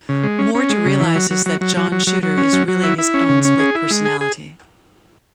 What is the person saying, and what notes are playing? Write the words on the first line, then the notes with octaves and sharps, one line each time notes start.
Mort realizes that John Shooter is really his own split personality.
C#3
G#3
C#4
C#4
G#3
C#3
E3
F#3
F#3
F#3
F#3
F#3
F#3
F#3
F#3
C#4
F#3
F#3
E4
E4
C#4
C#3
C#4
G#4
E4
G#3
G#4
G#4